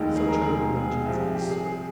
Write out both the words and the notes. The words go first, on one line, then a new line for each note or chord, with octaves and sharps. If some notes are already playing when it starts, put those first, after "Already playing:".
Such were the ragings of his soul.
Already playing: F1 D#2 D#3 G#3 D#4
G#4
A#4
G#4
G#4
C2 C3 F3
G4
G#4
G#4